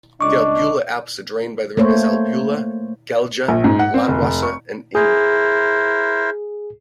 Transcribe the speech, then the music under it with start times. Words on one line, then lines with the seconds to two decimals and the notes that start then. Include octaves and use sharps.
The Albula Alps are drained by the rivers Albula, Gelgia, Landwasser and Inn.
0.21 C#2 D4 D#5 C#6 D6
1.77 A3 A#3 C5 C#5
3.48 A#1
3.64 G#2
3.79 F#5
3.94 C4
4.08 F1
4.22 F1
4.43 C#6
4.95 E4 G#4 A#4 C5